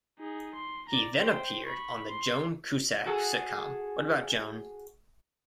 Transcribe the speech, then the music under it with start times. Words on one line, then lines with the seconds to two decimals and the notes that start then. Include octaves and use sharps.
He then appeared on the Joan Cusack sitcom What About Joan?
0.19 D#4 G#4
0.55 C6
0.89 D5 A#5
1.18 C5 G5
1.66 B5 C#6
2.09 C6
3.06 F#4 G#4 A4